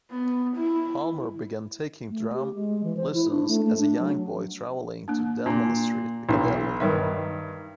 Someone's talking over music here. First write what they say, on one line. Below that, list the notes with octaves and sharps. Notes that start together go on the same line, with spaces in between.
Palmer began taking drum lessons as a young boy, travelling to Denman Street, Piccadilly.
B3
E4
A3
G4
G#3
E3
C5
E4
D4
A3
A3
D4
F#3
A#3 D4
A#2 D4 C6
B1 E3 D4 C#5
G2 D#3 A#4 B4 C#5 E5